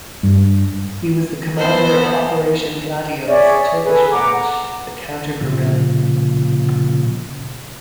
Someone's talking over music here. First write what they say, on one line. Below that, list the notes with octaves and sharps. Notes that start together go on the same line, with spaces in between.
He was the commander of Operation Gladio's Turkish branch; the Counter-Guerrilla.
G2
E3 B3 A4 C5
G#4 C#5 D5 E5
G#4 A4 B4 G#5
F#5 A#5 D6
A#2 C#3 F3